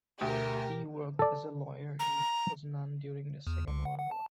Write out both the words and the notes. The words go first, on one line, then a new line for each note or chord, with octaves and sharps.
He worked as a lawyer in Poznan during the Second World War.
D2 B2 A3 G4 A#4 E5 G5
A4 D5
A#5
E2
C#2
F#5
F#5
A5